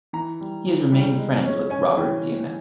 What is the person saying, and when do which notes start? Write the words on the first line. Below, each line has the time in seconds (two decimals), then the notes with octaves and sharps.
He has remained friends with Robert Diament.
0.13 E3 A#5
0.40 G3
0.66 E3
0.92 G3
1.18 G#3
1.45 C#4
1.70 C#4 G#5
1.97 E3 G5